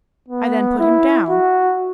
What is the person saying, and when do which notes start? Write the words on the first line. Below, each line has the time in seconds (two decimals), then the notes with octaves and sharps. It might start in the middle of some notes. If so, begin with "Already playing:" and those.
I then put him down.
0.29 B3
0.79 E4
1.30 F#4